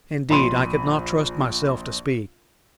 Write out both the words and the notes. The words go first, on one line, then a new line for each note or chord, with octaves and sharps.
Indeed, I could not trust myself to speak.
A#1 B5 C6 D#7